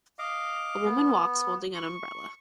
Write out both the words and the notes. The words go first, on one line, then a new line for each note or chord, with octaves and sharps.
A woman walks holding an umbrella.
D#5 F5 D6
B3
C#6